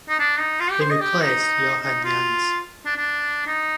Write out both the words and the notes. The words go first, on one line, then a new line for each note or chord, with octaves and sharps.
He replaced Johan Jans.
D#4
D4
D#4
F4
G4
C5
D#5
G4
D#4
D#4
F4
D4
D4
D#4